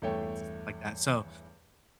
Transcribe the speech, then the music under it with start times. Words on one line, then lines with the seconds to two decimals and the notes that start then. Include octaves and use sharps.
streets, and stuff like that. So,
0.02 E2 G2 A3 C#5 G5